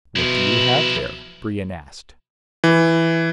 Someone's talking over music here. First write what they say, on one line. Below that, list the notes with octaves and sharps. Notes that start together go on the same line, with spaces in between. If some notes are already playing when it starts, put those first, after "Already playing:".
"What do you have there?" Brion asked.
B2 F3 E4
E3